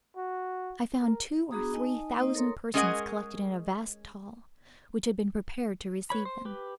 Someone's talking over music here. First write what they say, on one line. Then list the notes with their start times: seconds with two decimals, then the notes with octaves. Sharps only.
I found two or three thousand persons collected in a vast hall which had been prepared to receive them.
0.17 F#4
1.02 A#4
1.51 B3 D4 F#4 G#4 A#5 D#6
1.73 D#4 D#5 G#5 A5
2.17 A#3 D#4 C5 D#5
2.35 A4 A#4 C#5 A#5 C6 D#6
2.74 G#3 C#4 G#4 A#4 D#5 F#5
6.10 B4 C#5 B5
6.25 C5
6.45 G4 B4